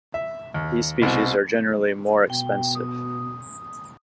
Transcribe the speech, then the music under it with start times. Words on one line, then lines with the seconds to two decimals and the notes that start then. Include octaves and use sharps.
These species are generally more expensive.
0.14 E5
0.54 D#2
1.02 C2 B2
2.30 B2 G5
2.75 D#6